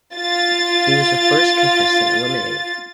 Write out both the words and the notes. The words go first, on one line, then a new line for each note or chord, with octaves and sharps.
He was the first contestant eliminated.
F4 A6